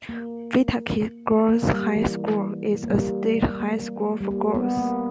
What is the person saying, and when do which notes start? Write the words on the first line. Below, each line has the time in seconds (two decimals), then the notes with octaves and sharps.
Waitaki Girls' High School is a state high school for girls.
0.09 A#3
1.49 A#3
1.73 G3
1.96 E3
2.83 A#3
2.90 G3
3.60 A#3
4.21 G3
4.31 A#3
4.55 B3
4.78 A#3